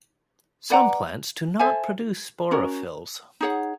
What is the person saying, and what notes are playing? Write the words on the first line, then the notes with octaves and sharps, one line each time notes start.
Some plants do not produce sporophylls.
B4 D5 F#5 A#5
A4 C5 E5 G#5
C#4 F#4 A#4
D#4 G#4 C#5 F#5